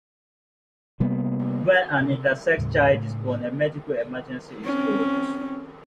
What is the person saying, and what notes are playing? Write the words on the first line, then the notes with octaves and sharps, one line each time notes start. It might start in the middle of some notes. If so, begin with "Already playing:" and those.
When an intersex child is first born, a "medical emergency" is called.
C3 G3 A#3 B3
C3
D#2 A2 C#3 G3
A2 C#3 A3
C4 C#4